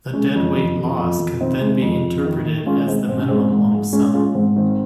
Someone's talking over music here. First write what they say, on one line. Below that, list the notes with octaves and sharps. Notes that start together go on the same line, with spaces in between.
The deadweight loss can then be interpreted as the minimum lump sum.
G#3 C#4
F2
F2
F2
F2
F2
D#3 C4 D#4
G#3
F2
F2
D#3
D#3
G#3 C#4 F4
G#3 C4 D#4
G#2 C4
C#4
G#3 C4
G#2
G#3
G#3 C#4
G#3 C#4 F4
G#2 C4
D#3 C4